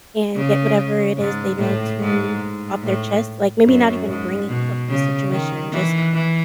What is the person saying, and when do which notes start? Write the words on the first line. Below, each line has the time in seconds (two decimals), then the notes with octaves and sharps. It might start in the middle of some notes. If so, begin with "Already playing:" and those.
and get whatever it is they need to off their chest; like, maybe not even bringing up the situation, just
0.35 C#3
1.17 G#2
1.58 A2
2.00 G#2
2.41 G#2
2.83 A2
3.65 F#2
4.06 G#2
4.48 B2
4.89 C#3
5.31 D#3
5.72 E3
6.13 E3